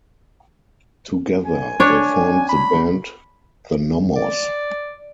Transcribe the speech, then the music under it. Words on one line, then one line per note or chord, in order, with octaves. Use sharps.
Together they formed the band "the Nommos".
G#5
D4 C#5
B5
D5